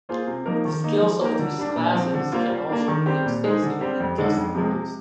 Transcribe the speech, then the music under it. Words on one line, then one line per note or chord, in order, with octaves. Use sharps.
The skills of these classes can also be extensively customised.
A#3 F4 G#4 C5
C3
F3 A#3 D#4 A#4
D#3
A#3 D#4
F3
A#3 D#4 G4 A#4
D3
G3 D4
A#2
F3 C4
D3
G3 A#3 F4 C5
G3
A#3 D4
D#3
G3 C4 G4 C5
A#2
G#3 D#4 G#4 C5
D3
G3 C4 G4 C5
F2
D3 G#3 D#4
F2
C3 F3 G#3
C3